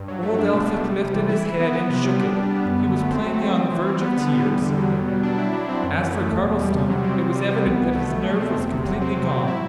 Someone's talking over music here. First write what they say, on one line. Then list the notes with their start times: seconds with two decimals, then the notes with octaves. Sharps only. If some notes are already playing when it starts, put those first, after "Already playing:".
Old Elphick lifted his head and shook it; he was plainly on the verge of tears; as for Cardlestone, it was evident that his nerve was completely gone.
Already playing: G2
0.08 F#3
0.23 A3
0.38 D4
0.53 B2
0.69 A3
0.84 G3
0.98 C3
1.14 E3
1.29 E4
1.44 E3
1.60 B3
1.74 B3
1.90 C3
2.04 G3
2.20 D4
2.35 G3
2.51 B3
2.66 F#2
2.80 D3
2.96 A3
3.11 C4
3.26 F#3
3.41 A3
3.56 C4
3.72 E3
3.87 G3
4.01 B3
4.17 D3
4.32 G3
4.47 E2
4.62 D3
4.77 F#3
4.92 B2
5.08 G3
5.23 D4
5.38 E4
5.53 F#3
5.68 C4
5.83 F#2
5.98 E3
6.14 A3
6.29 E2
6.45 B2
6.59 G3
6.74 C3
6.90 F#3
7.04 C4
7.20 C3
7.35 G3
7.50 B3
7.66 C2
7.81 B2
7.95 A3
8.11 B2
8.26 A3
8.41 C4
8.57 E2
8.71 C3
8.87 F#3
9.02 C4
9.17 C3
9.32 F#3
9.48 E4